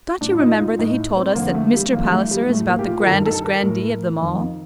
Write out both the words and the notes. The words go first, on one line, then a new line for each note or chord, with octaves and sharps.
Don't you remember that he told us that Mr. Palliser is about the grandest grandee of them all.
A2 D4
F4
D#4
F4
A2 D#4
C4
F2 D3 A#3
A3
G3
F2 D#3 A#3
G3
A3
G3
A2 A3
A#3
G4
F4
A#4
G2 D#3 A4
A4
A#4
A2
F2 D#3